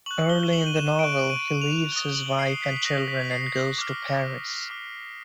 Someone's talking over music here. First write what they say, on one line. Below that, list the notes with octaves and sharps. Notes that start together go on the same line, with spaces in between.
Early in the novel, he leaves his wife and children and goes to Paris.
C#6 F#6 F#7
G7
F#7
D#7
E7
C#6 F#6 D7
D#7
F7
D#6 F#6 G7
F#7
C7
B6
D#6 F#6 A#6
B6
C7
A#6
D6 F6
D6 F6